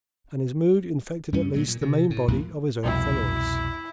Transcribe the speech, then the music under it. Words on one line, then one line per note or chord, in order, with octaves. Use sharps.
And his mood infected at least the main body of his own followers.
G2 G3 C#4
G2 A#2 F#3 G#3
A#2
C3
A2
A#1 F#2 A2 A#3
C2 F2 B2 E4